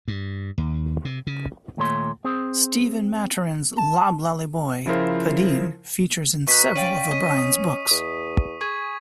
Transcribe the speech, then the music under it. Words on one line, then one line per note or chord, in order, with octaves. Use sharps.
Stephen Maturin's loblolly boy, Padeen, features in several of O'Brian's books.
G2
D#2
C3
C#3
D#2 A#2 A3 C#5 C6
C4 G#4 C5
A5
C#3 F3 E4 F4 A#4 C5
B2 D#4 C#6 F#6 B6
C#4 D5 F5 G5 D#7
C#4 D#5
D#6
E2
G#4 C#6 G#6